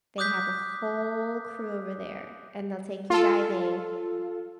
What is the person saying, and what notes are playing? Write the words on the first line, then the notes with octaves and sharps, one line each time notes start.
they have a whole crew over there, and they'll take you diving,
D6 D#6 F#6 G6 B6
F4 A4